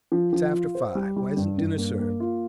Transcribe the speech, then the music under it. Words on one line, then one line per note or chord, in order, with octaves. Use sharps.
'It's after five; why isn't dinner served?'
F3
F3
F4
C5
G3
G3
G2
G2
A#3
A#3
F4